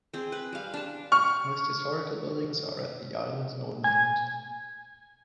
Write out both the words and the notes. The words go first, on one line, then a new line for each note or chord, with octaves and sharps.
Most historical buildings are at the island's northern end.
C4 G#4
B4
G3 F5
D4 A5
C#6 F6
G#5